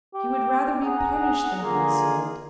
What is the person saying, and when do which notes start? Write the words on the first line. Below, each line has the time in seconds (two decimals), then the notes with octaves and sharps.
He would rather be punished than consoled.
0.14 G4
0.84 G#4 F#5 A#5
1.62 D3 A#3 F4 G#4